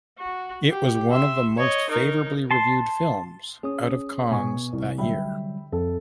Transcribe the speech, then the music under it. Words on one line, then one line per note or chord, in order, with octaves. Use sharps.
It was one of the most favourably reviewed films out of Cannes that year.
F#4
G4
E5 C6
C#5 D#5
D#4 A#4
A5 C6
C#4 G#4 C#5 D#6
B2 G#5 C#6
C2
D3 F#3 G3 E5 G5 B5
F2 A4